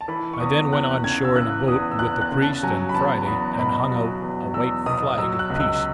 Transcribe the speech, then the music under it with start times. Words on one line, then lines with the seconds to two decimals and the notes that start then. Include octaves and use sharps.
I then went on shore in a boat, with the priest and Friday, and hung out a white flag of peace.
0.01 A5
0.08 E3 B5
0.33 C#6
0.40 E2 D#6
0.73 E2 F#6
1.04 C#3 G#6
1.24 E6
1.36 E3 F#6
1.68 E2 D#6
1.91 E6
1.99 E2 F#6
2.21 F#6
2.31 C#3
2.42 A5
2.63 F#3 G#5
2.89 B5
2.94 E2 A5
3.26 E2 B5
3.58 B2 B5
3.91 F#3
4.22 E2
4.54 E2 E6
4.86 B2 D#6
5.18 F#3 E6
5.39 F#6
5.50 C#2
5.60 E6